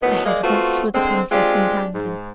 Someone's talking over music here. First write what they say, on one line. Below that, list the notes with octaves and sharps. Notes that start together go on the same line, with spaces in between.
Ahead of us were the princess and Brandon.
A2 D#3 F#3 B3
G#3 A#3 D5 D#5
A3 B3 C4 F4 F#4
D3 G#3 C4
G#3 C4 D4 F4 G4
G#2